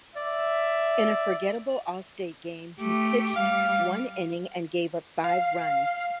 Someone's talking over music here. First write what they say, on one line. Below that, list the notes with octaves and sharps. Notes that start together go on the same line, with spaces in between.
In a forgettable All-Star game, he pitched one inning and gave up five runs.
D5 E5
A3 G4
G3 F5
F5